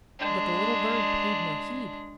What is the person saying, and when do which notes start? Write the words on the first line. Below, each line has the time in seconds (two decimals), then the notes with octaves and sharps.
But the little bird paid no heed.
0.19 G#3 D4